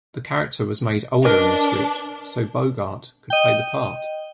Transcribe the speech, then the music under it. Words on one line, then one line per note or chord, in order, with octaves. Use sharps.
The character was made older in the script so Bogart could play the part.
D4 A#4 B4 D#5
D#5 G5